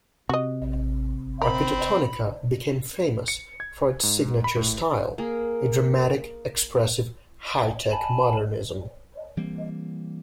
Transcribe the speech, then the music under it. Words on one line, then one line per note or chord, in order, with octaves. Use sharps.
Arquitectonica became famous for its signature style: a dramatic, expressive "high-tech" modernism.
C3 F#4 D#5
C4 A#4 B5
C#7
G#6
G#2
B5
A2
A#3 G#4
G#5 A5 B5
E3 G3 A#3 C4